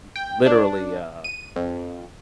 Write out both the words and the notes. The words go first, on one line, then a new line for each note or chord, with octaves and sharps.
um, literally, uh
G5
D4
D#7
F2